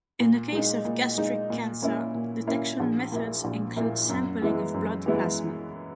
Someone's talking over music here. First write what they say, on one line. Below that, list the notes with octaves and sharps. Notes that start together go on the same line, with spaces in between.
In the case of gastric cancer, detection methods include sampling of blood plasma.
A#2
G#3 D#4
A#2
G#3 D#4
A#2
A#3 C#4 E4
A#2
A#3 C#4 E4
A#1
A#2 A#3 E4
A#1
A#2 A#3 E4
F#2
E3 G#3 B3 E4
F#2
E3 G#3 B3 E4